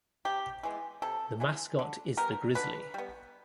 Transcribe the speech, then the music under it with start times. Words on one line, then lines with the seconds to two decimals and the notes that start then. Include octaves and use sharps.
The mascot is the Grizzly.
0.25 C3 G4
0.63 E3 G#3 B3
1.02 C3 A4
1.40 E3 G#3 B3
1.79 D3
2.17 G3 B3 A#4
2.55 D3 B4
2.94 G3 B3